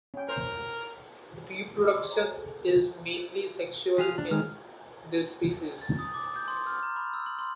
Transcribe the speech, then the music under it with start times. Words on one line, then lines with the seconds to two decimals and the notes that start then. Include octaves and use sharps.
Reproduction is mainly sexual in this species.
0.14 C#4 G5
0.29 A#4 C5
1.80 D#5 A5 B5 E6
1.93 G#4 C5 D5 C6 D6
2.10 F#4 C5 C#5 G#5 A#5
2.30 G#4 A4
2.60 F#4 G4 A#4
3.98 F3 G#4 F5
4.18 D4
4.31 D#3 G#3 F6
5.81 A6
5.99 D#6
6.14 D6
6.36 G6
6.48 C6
6.67 F6
6.83 A#5
6.96 B5
7.14 E6
7.26 F#7
7.39 C6